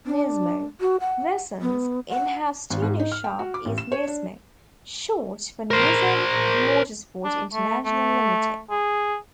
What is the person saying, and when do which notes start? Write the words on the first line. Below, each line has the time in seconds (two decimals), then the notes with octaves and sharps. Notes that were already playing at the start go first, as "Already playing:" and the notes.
Nismo: Nissan's in-house tuning shop is Nismo, short for Nissan Motorsport International Limited.
0.06 D4
0.81 F#4
1.00 F#5
1.61 B3
2.09 F#5
2.70 G#1
2.82 G#2
2.99 D#4
3.12 F6
3.24 G5
3.39 F#4
3.54 D6
3.65 A1
3.78 E7
3.92 C#5
4.07 D4
5.71 A#4 C5
7.24 D4
7.53 A3
7.85 A3
8.70 G#4